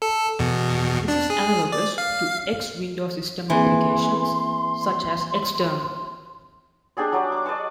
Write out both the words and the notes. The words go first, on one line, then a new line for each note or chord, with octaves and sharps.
This is analogous to X Window System applications such as xterm.
A4
E2 B2
D4
G#4
D5
F5
E3 A#3 C4 G#4 C6
D4 G4 G#4 D5
F#3 D5
D6
D5 D#5 A5 C#6